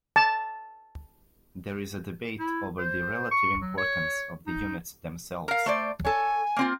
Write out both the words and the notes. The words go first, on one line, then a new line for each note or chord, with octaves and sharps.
There is debate over the relative importance of the units themselves.
A5
E4
C5
C#6
F#3
C#5
D#4
A#4 F5
A3 C5 D5
A4 C#5 G#5
A#3 C4 F4